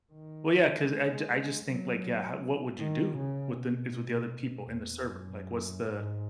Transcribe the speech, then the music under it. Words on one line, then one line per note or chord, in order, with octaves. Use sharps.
well, yeah, 'cause I'd I, just, think, like, yeah, h what would you do within is with the other people in the server? Like what's the
D#3
G#3
F#3
D#3
C#3
B2
B2
E2
F#2
G#2